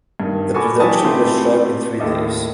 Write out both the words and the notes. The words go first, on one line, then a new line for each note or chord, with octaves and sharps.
The production was shot in three days.
G2 D#3
F#4 A4 G#5 B5 C#6 D6
E3 F#3 G4 G#5 A5 D#6
A3 C4 E4 F4 G4 C5
D#2 A2 A4 D#5 D6